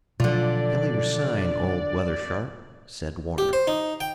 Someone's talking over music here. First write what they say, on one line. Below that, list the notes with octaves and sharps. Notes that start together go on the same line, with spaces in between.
"Tell your sign, old weather sharp," said Warner.
B2 D3 F3 F#3 F4 D5
G4
C5
D#4
G5